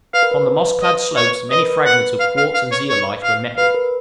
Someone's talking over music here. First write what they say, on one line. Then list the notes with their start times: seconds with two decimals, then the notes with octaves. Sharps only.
Upon the moss-clad slopes many fragments of quartz and zeolite were met with.
0.14 B4 F5
0.23 A#4
0.32 B4
0.82 D#5
1.17 C#5
1.51 B4 D#5
1.60 A#4
1.70 B4
1.86 F#5
2.20 F5
2.37 F5
2.54 F5
2.72 C#5
2.89 C#5
3.23 F5
3.57 B4 F5
3.74 A#4